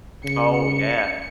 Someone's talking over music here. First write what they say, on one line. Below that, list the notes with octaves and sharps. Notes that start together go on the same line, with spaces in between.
Oh, yeah.
C#3 C#7